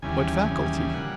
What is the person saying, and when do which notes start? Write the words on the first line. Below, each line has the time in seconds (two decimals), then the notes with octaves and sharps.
What faculty?
0.02 D#2 C#3 E3 G3 G#5
0.48 D#2 C#3 E3 G3
0.94 A#2 G3 F#5